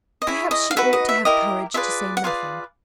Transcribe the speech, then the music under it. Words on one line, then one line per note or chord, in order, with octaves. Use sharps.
Perhaps she ought to have courage to say nothing.
D#5
E4 G#4 C#5 E5
D#5
F5
D#4 F#4 B4 E5
D#5
E5
E4 G4 A#4 D#5
F4 G#4 B4 D5 E5
F#5
F4 G#4 B4 D5 F5